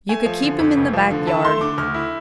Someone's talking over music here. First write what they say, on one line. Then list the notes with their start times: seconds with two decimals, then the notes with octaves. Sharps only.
You could keep him in the back yard.
0.09 A3 G#5
0.26 F3
0.43 D3
0.59 F2
0.77 F1
0.93 F3
1.11 D3
1.27 E4 A5
1.45 A3 C6
1.61 D3 D6
1.78 D2 F6
1.94 E4